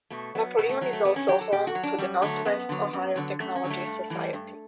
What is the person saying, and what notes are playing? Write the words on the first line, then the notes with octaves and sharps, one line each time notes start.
Napoleon is also home to the Northwest Ohio Technology Society.
B2 A3
F#3 B3
B2 B3
A3
F#3 A3
A3
B2 B3
C#4
F#3 G4
A4
B2 G4
F#4
F#3
D4
F#2 G3
D3 F#3 A3
F#2 B3
D3 F#3
F#2
D3 F#3
F#2 A3
C#4
D3 F#3
A3
G2
E3 G3
G2